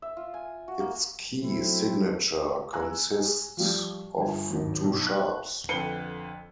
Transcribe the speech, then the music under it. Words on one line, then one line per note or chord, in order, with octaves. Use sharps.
Its key signature consists of two sharps.
E5
F4
G#5
F#4
A#3
F#3 A3 C4 E4
G#5 A#5 E6 F#6
F3 G3
G1 G#5
G#1 D#2 F#3
B1
F#6
F2 D3 B4 C#7 G7